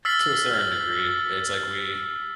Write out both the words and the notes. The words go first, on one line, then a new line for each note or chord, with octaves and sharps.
To a certain degree, it's like we
E6 F6 A6 B6 C7 F#7